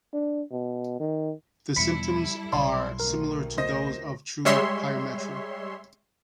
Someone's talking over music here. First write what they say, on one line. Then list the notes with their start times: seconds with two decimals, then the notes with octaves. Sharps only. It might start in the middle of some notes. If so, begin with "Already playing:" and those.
The symptoms are similar to those of true pyometra.
0.13 D4
0.52 B2
1.00 D#3
1.76 E2 B2 G3 E4 A4 B5 B6 C#7
2.53 B1 D5 C6
3.00 D2 A#4
3.58 C5 D#5 A#6
4.45 G3 G#3 C#5 E5 C6